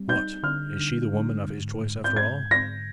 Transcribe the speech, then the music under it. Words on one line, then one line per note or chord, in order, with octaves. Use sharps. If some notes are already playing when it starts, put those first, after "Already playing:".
'What--is she the woman of his choice after all?'
Already playing: G3 C4
D#4 G6
D3 F6
D3
D3
G#2
G#2
G6
G#2 G#6
G#2 A#6